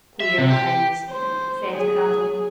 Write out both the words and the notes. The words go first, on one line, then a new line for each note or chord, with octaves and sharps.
"Queer things!" said Cradell.
E5
C3
G4
C5
F#3 G#4